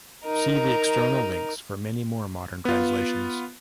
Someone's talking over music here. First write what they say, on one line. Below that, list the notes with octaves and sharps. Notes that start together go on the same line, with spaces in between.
See the external links for many more modern translations.
D#4 A#4
B3 F4